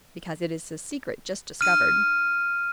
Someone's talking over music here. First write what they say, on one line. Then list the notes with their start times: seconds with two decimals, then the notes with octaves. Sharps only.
"Because it is a secret just discovered."
1.61 F6 D#7